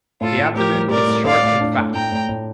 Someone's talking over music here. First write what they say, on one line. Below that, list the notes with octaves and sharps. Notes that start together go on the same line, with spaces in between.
The abdomen is short and fat.
A2 F4 A4
A2
A2 G4 A#4
G3
A2 A#4 D5
A2
A2 D5 F5
A2
D4
A2
A2 G5 A#5
A2
A2